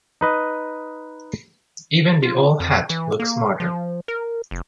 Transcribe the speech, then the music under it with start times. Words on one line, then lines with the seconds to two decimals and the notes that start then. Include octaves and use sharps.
Even the old hat looked smarter.
0.21 D#4 B4 D#5
2.22 F4
2.60 F2
2.90 E3
3.20 A#3
3.60 F3
4.08 A#4
4.51 F1